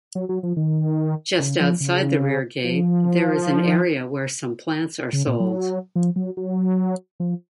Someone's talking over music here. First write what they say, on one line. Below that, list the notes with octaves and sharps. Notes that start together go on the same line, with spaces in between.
Just outside the rear gate there is an area where some plants are sold.
F#3
F#3
F3
D#3
C#3
F3
C#3
F3
C#3
A#2
F#3
F3
F#3
F#3
F3